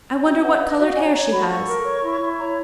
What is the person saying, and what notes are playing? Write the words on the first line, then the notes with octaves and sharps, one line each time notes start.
I wonder what coloured hair she has.
F#4 G5
B4 F#5
B4 F5
D#5
F#4 E5
F5
C#5 G#5
C#5 A#5
F#4 B5
A4 C#6
A#4
C#5
E4
E4
C#5 A#5